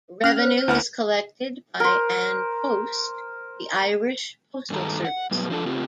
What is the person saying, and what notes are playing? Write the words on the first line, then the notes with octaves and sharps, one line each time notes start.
Revenue is collected by An Post, the Irish postal service.
C#4 F6
C5 C#5
D2 E4 F#5 B5 F6
A#4 C5
G2 D#3 A4 A#5
F#5
G2 B2 F#3 B3
F3 D4 F4 A4
C#3 C4 F4 G4